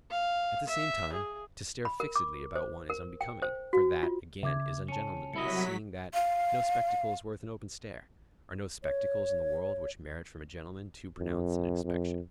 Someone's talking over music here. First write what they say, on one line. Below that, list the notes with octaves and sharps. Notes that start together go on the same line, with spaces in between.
At the same time, to stare fixedly about one is unbecoming; for that, again, is ungentlemanly, seeing that no spectacle is worth an open stare--are no spectacles in the world which merit from a gentleman too pronounced an inspection.
F5
E5
G#4
B5
A#4
D6
C5
A#4
G5
C5
F#4
F4
C#3 E5 D6 G#6
C#4 A5 C#7
C2 F#3 E4 D#5 B6 C#7
F5
C#5
F2
F2